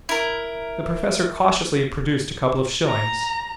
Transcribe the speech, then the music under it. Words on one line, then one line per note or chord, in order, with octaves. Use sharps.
The Professor cautiously produced a couple of shillings.
E4 A#4
A#5